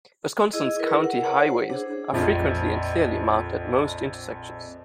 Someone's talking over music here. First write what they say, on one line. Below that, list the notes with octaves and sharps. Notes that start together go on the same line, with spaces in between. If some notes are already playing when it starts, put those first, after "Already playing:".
Wisconsin's county highways are frequently and clearly marked at most intersections.
E4 G#4 D#5
E4 A#4 B4
F#5
C#5 F#5
C5
D4 G#4
A#1 F2